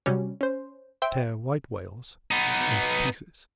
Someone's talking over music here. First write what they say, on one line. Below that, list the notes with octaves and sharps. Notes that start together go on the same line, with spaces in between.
Tear white whales into pieces.
C3 F#3 G3 C#4
C#4 C5
C5 E5 G5
B3 D#4